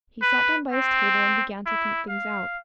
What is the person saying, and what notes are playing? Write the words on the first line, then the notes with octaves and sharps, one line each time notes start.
He sat down by his table and began to think things out.
B4
C4
E4
F5